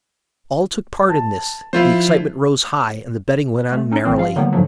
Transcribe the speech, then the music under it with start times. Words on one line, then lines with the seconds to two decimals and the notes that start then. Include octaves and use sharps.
All took part in this; the excitement rose high and the betting went on merrily.
1.09 A5
1.73 F3 E4 F4 C5
3.72 A3
3.92 C#4 D#4
4.05 A1 E3 C4
4.17 F3 F4 F5
4.36 D3 D#3 F#3 G3 A#3 B3
4.53 G#2 D3 F3 F#3